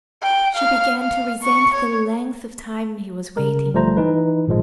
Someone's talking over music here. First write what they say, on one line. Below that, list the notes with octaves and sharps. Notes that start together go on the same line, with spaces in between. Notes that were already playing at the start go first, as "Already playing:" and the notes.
She began to resent the length of time he was waiting.
G5
F5
F5
C#6
C#5
C#3 A#4
G1 F3 G3 A3 C5 A#5
E3 D#4 B4
G#1 A#2 F3 G#3